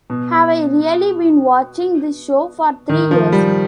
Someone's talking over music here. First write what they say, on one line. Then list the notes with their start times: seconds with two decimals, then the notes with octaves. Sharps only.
Have I really been watching this show for three years?
0.10 B2
2.89 D#3
3.11 F3
3.32 G3